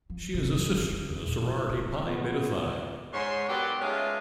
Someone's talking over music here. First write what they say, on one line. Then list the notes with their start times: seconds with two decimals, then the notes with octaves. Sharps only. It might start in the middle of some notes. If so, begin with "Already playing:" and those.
She is a sister in the sorority Pi Beta Phi.
0.10 F3
0.34 C3
0.53 F#2
0.69 F1
0.92 C#3
1.10 E2
1.26 A#2
1.40 A#2
1.69 F4
2.05 B3 F4
3.12 G#2 C#5 C6
3.48 F#3 B3 G4 A#4 D5
3.81 G#3 A3 C#4 D#4 F4